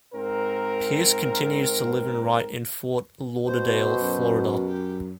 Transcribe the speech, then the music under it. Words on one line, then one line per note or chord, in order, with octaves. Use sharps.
Pearce continues to live and write in Fort Lauderdale, Florida.
G#2 C4 A#4
B2 C5
F#2
G4